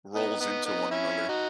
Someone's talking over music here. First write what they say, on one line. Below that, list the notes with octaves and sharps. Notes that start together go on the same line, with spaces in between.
rolls into one another.
B3 D#4
B3 D#4
B3 D#4
C#4 E4
D#4 F#4